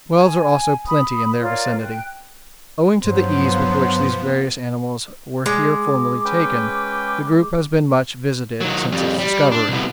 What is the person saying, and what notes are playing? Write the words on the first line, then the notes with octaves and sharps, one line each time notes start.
Whales are also plenty in their vicinity. Owing to the ease with which these various animals were here formerly taken, the group has been much visited since its discovery.
G#5
B5 D#6
F4 A#4 C#5 D5
G5 F#6
G2 F3 F#3 B3 C5
G#3 D6
C#4 B4 G5
D#3 F#3
F2 G3
G3
D4
C2 B3